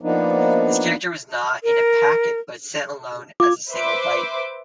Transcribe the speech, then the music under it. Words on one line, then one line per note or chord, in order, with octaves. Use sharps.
This character was not in a packet, but sent alone as a single byte.
F3 A#3 B3 D4 D#4
A#4
F4 D6 G#6
B4 C5 E5 D6